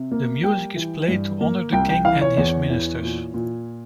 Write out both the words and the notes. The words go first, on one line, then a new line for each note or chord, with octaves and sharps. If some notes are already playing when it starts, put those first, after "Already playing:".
The music is played to honor the King and his ministers.
Already playing: C3
A#3
G3 G5
E3
G2
A#3
C2 G5
G5
E3 F5
C#5
E2 C#5
E3
A#2
A#2